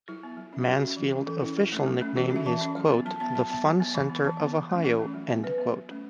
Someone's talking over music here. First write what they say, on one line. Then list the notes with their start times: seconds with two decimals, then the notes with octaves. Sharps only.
Mansfield's official nickname is "The Fun Center of Ohio".
0.08 F#3 E4
0.23 B3
0.37 F#3
0.53 C#4
0.67 F#3 F#4
0.82 C#4
0.97 E3
1.12 C#4
1.27 E3 A4
1.42 C#4 E4
1.57 F#3
1.72 A3 C#4
1.86 F#3
2.01 A3 C#4
2.16 E3 F#4
2.31 C#4 E5
2.46 E3 A5
2.61 C#4
2.76 F#3
2.90 B3
3.05 F#3 A5
3.20 B3 A5
3.35 F#3 A5
3.50 B3 A5
3.66 F#3
3.80 B3
3.95 E3 B5
4.09 B3
4.15 B5
4.24 E3 A5
4.40 B3
4.54 E3
4.69 A3 C#4
4.84 E3 F#5
4.99 A3 C#4
5.14 F#3
5.29 B3
5.44 F#3 B4
5.58 B3
5.74 F#3
5.89 A3 C#4